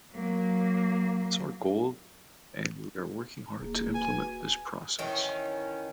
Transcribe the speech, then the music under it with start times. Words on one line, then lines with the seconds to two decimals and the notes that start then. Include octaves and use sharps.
It's our goal and we are working hard to implement this process.
0.12 F#3 A#3
3.60 D1 A#3 G#4
3.95 F#4 B4 G#5
4.99 D#3 E3 C#4